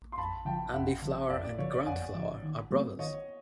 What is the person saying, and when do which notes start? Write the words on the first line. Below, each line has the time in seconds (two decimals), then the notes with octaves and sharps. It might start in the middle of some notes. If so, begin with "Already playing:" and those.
Andy Flower and Grant Flower are brothers.
0.12 C6
0.18 F2 A5 B5
0.45 C#3 F3 G5 A5
0.73 F2 E5 F#5
1.02 C#3 F3
1.30 F2 D5 E5
1.44 D5
1.58 C#3 F3 C#5
1.73 D5
1.86 F2 F#5 G#5
2.15 C#3 F3
2.43 D#3
2.71 F#3 A3 C4
2.99 D#3 C#5 D#5